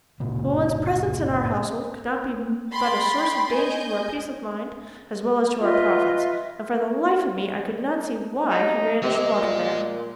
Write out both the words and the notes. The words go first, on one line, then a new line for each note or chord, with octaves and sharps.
The woman's presence in our household could not be but a source of danger to our peace of mind as well as to our profits, and for the life of me I could not see why Henriette should want her there.
G1 A#2 C#3 A#3
G5 B5 C6 A6
D#5 G#5 G6
F4 B4 D#5 E5
D#4
C3 G#3 D#5
A#2